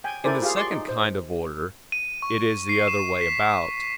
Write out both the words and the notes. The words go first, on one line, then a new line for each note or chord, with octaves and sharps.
In the second kind of order, it is the other way about.
G5 G#5
E4 A4 A#4 C5 D5 G#5
F4 G4 G#4 F5
D5 C6 C#6
D#4
C5
D#7
C#6
C7
E7
B6